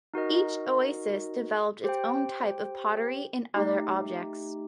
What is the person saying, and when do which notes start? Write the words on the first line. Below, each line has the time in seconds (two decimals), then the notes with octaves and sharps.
Each oasis developed its own types of pottery and other objects.
0.14 D#4 F#4 A#4 D#5
1.84 G4 C5 G5
3.55 A3 D#4 G4